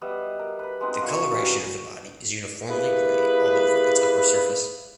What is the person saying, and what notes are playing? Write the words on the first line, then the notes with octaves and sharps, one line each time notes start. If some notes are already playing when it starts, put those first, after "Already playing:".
The coloration of the body is uniformly grey all over its upper surface.
G3 B3 D#5 E5
A#4
B4 B5
G#3 B3 C4 D#4
A#3 F#4 D5 C#6
F#3 G3 B3 C#4
A#3 E4 G4 G#4 B4